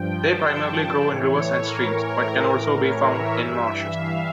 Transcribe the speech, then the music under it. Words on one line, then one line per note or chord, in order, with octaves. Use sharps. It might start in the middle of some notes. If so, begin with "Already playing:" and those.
They primarily grow in rivers and streams, but can also be found in marshes.
Already playing: G2 F3 G5
A5
A2 E3 C#5
A#4
A2 E3
C#5
E5
G2 E3 E5
F5